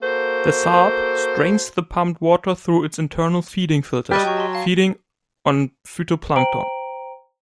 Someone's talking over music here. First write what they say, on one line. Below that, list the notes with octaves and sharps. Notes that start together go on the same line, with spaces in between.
The salp strains the pumped water through its internal feeding filters, feeding on phytoplankton.
A#3 F#4 A4 C5
G3 G4 D#5 F6 F#6 A6
F#3 G5 C#6
A5 C6
F5 A5
C5 G5 A#5 D7 F#7